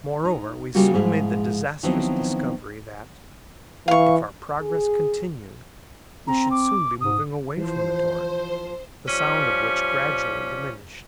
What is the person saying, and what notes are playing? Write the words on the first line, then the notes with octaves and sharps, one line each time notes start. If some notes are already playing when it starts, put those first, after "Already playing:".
Moreover, we soon made the disastrous discovery that, if our progress continued, we should soon be moving away from the torrent, the sound of which gradually diminished.
D#4
C#3 G3 A#3 F4 F#4
G#2 F3 G#3 E4
D#3 F3 F#3 B3 C4 E4
E3 F5 C#6
G#4
C4 A#5
D6
G#2 D#6
E3 F3 C5
F3 G3 C#4